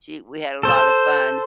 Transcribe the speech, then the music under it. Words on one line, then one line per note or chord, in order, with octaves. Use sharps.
She we had a lotta fun.
A4 C5